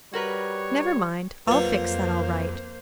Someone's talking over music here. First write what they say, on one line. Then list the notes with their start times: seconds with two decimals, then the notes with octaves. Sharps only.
Never mind, I'll fix that all right.
0.13 G3 F#4 A#4 B4 C#5
1.48 F2 F#3 A#3 F4 B4 C5